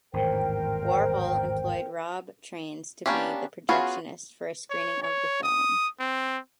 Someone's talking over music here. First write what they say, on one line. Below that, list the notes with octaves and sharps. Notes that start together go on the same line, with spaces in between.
Warhol employed Rob Trains to be the projectionist for a screening of the film.
G#1 E2 A2 A#4 C5 G5
A#3 B3 C#4 D4 G4
B3 C#4 F4 F#4 G#4
C#5
C#5
D#6
C4